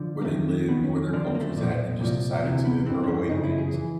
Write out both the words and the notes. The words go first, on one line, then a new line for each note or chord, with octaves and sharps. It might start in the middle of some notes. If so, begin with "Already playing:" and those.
where they lived or where their culture's at and just decided to throw away things
Already playing: D3 F3
A#3
D#2 D#3 A3
D#2 D#3 B3
C#4
D#2 D3 F3 D4
C4
A#3
A3
B1 A#2 F3
C2 A#2 F3
D2 C3 E3
B3
G2 E3 C4
D4
C#4
F#2 C#3 F3 D#4
E4
G#4
E3